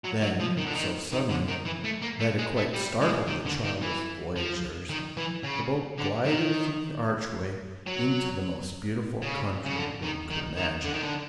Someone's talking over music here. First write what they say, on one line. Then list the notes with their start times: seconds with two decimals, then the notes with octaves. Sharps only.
Then, so suddenly that it quite startled the childish voyagers, the boat glided from the archway into the most beautiful country one could imagine.
0.04 F#3
0.22 F#3
0.40 F3
0.57 D#3
0.66 D3
0.75 D#3
1.13 D#3
1.29 D3
1.48 D#3
1.65 E3
1.84 A3
2.02 A#3
2.20 A3
2.38 G#3
2.56 A3
2.74 G3
3.01 G#3
3.27 D#3
3.46 D3
3.64 D#3
3.82 E3
4.36 F3
4.89 D#3
5.17 E3
5.43 C#3
5.98 D3
6.25 D#3
7.86 F#3
9.22 C#3
9.65 C#3
9.75 D3
10.03 D#3
10.31 D#3
10.57 D#3
10.85 D3
10.94 D#3
11.03 D3